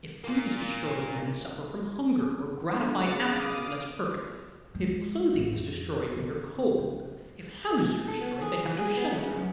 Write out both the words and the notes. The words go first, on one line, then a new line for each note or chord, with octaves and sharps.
If food is destroyed, men suffer from hunger or gratify appetite less perfectly; if clothing is destroyed, they are cold; if houses are destroyed, they have no shelter.
A#3 F4
D3
C#3 A6
F5 D6 D#6
G#3
A1
F2
C#3
C#3
A4
B3
G#4
E3
G#4
B3
C#3
F#2